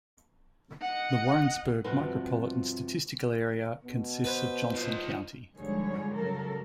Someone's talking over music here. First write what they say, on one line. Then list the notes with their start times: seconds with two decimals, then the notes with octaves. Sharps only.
The Warrensburg Micropolitan Statistical Area consists of Johnson County.
0.82 D#5 F#5
1.84 G2 C3 F3 C4 F#4 B4
3.84 B2
4.24 B4 C5
4.74 F4 D#5
5.55 G#2 D3 F3 G3 G#4 C#5
6.15 C#3 F#3 G3 A4 A#4